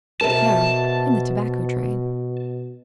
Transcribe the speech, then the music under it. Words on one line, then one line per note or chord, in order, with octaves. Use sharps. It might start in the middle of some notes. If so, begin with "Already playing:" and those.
'No, in the tobacco trade.'
B2 A#4 C5 E5 A5